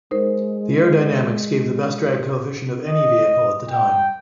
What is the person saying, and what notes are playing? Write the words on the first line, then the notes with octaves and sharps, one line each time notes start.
The aerodynamics gave the best drag coefficient of any vehicle at the time.
G#3 D#4 A#4 C5
D#5
G5